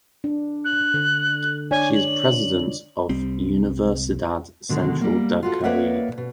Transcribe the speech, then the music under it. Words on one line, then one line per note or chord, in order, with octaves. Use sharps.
She is president of Universidad Central del Caribe.
D4
F#6
D3
D4 C#5 D5 G#5
F#7
C2 G3 C4
B2 D3 D#3 G#3
G3 A#3
F4 F#4 A4
A#3 B4 C#5 D5 E5 F#5
B2